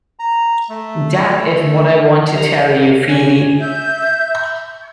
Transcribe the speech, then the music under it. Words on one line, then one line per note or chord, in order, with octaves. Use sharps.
That is what I want to tell you, Phoebe.
A#5
A3
C2 A#5
C#4 D5 G#5
E5 G6